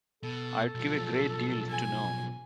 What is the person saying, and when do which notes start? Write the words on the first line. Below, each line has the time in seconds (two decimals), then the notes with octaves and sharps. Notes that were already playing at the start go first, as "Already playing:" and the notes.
I’d give a great deal to know.
0.23 B2 A4
0.75 B1 F3
1.70 G#5